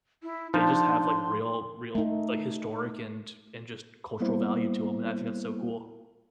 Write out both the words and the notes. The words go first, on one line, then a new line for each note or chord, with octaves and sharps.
they just have like real real, like historic and and just cultural value to 'em, and I think that's so cool.
E4
F3 D4 D#4 C6
A3 D#4
G3 A#3 B3 E4 C5